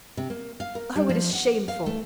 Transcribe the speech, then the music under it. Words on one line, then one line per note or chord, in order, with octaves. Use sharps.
Oh! it is shameful!
C3
A#3
F5
A#4
G3
F3
F#5
F5
A3